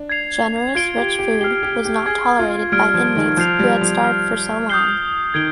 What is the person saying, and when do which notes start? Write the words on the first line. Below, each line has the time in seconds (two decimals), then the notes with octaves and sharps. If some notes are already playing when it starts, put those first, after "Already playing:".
Generous rich food was not tolerated by inmates who had starved for so long.
Already playing: D4
0.09 G#6 C7 F7
0.75 F4 G#6 D7 G7
0.97 G4
1.19 G4
1.41 G4 F6 C7 G7
1.63 G4
1.85 G4
2.06 G#4 G#6 C7 G7
2.39 F4
2.72 G3 F6 G#6 D7
2.94 F3
3.16 D#3
3.37 F3 G6 C7 F7
3.59 G3
3.81 F3
4.03 F6 C7 F7
4.70 D#6 G6 C7 G7
5.34 D#3 G#6 D7 G7